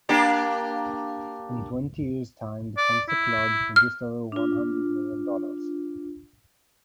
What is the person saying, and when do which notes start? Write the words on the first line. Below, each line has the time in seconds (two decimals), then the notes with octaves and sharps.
In twenty years time the Comstock Lode produced over one hundred million dollars.
0.09 A#3 D4 G4
2.78 D5
3.09 E4
3.76 F6
4.32 D4 F4